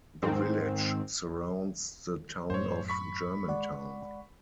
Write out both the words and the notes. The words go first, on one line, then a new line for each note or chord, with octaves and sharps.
The village surrounds the Town of Germantown.
G#2 D#3 C4
F#2 A2 C5 C#5
B5 C#6 B6
G#3 D5 F#5